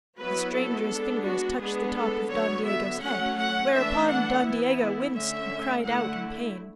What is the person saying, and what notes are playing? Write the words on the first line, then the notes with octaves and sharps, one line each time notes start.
The stranger's fingers touched the top of Don Diego's head, whereupon Don Diego winced and cried out in pain.
F#3 B3 E4 B4
A4
G#3 B3 D4
F#4
G#3 B3 D4 G#4
A4
D3 F#3 B3 C#5
E5
F#3 A3 C#4 F#5
F#5
E3 A3 D4 E5
F#5
E3 B3 E4
D3 A3 C#4 E5
D3 A3 E4 F#5